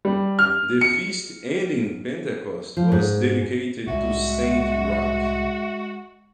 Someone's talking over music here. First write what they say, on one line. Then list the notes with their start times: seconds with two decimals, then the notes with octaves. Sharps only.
The feast ending Pentecost was dedicated to Saint Roch.
0.05 G3
0.39 F6
0.81 C#7
2.77 F3
2.92 G#2
3.87 C2 A2 G#3 F#4 E5